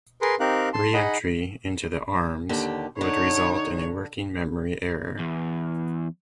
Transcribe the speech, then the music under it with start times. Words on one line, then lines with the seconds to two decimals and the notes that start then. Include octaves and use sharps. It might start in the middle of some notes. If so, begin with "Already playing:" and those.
Re-entry into the arms would result in a working memory error.
0.22 G#4 A#4 B4 C6
0.40 C4 D#4 G4 A#4 F5 F#6
0.73 A5 C6
0.94 D#4 G#4 D#5 F#5 B5
2.49 D#2 D3 G4
3.01 D3 D#4 C#5
5.19 E2